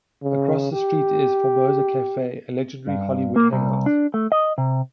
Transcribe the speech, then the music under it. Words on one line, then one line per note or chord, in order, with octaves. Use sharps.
Across the street is the Formosa Cafe, a legendary Hollywood hangout.
C#3
G4
G2
A#3
C2
D4
A3
D#5
C3